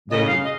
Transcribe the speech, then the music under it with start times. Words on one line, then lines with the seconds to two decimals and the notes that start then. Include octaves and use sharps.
They were
0.10 C#3 D#5
0.27 F5
0.43 D#5